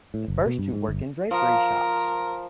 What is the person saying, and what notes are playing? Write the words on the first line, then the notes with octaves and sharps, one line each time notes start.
The first two work in drapery shops.
A2
F#1
B2
G2
G#2
G1
F3 A#4